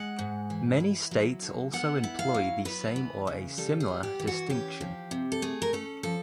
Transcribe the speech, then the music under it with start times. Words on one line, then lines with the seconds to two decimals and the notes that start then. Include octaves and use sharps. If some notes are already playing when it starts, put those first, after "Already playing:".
Many states also employ the same or a similar distinction.
Already playing: G#3 F#5
0.19 G#2
0.50 E3
0.80 E4
1.11 F#3
1.42 D3
1.73 B3 F#5
2.04 E4
2.19 F5
2.35 F#3
2.65 B3 B4
2.96 E3
3.27 C#3
3.57 G3 A4
3.80 G#4
3.88 B3
4.03 G4
4.20 E3
4.27 F#4
4.50 C#4 G4
4.81 F3
5.11 C3
5.32 A4
5.42 A3 G#4
5.62 A#4
5.73 C#4 A4
6.03 F3 A4